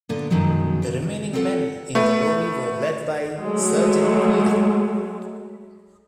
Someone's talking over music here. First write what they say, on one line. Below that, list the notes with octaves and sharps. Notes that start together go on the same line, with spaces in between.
The remaining men in the lorry were led by Sergeant Creegan.
A#2 D3 B3 A4
F#2 B2 D#3 F3 F#3 G#3
C#3
C4 F4 G4 A4 B4 F#5
A3 B3
F#3 G#3 A3